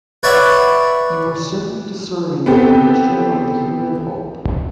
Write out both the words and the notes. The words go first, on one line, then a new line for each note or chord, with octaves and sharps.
You are simply discerning the fruition of the human hope.
B4 C#5 D5 E5 F#5 B5
B3 C4 G4 A4